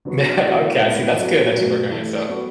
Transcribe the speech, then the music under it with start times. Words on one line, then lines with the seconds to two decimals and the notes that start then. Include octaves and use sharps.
Yeah, okay, I see, that's good that you work on yourself.
0.05 D3 F#3 B3 F#4
0.42 A2 E3 B3 F#4 A4
0.79 A2 G#3 B3 E4
1.16 F#3 B3 E4 A4
1.53 B2 F#3 A3
1.91 E3 A3 E4 A4
2.28 F#3 B3 F#4 A4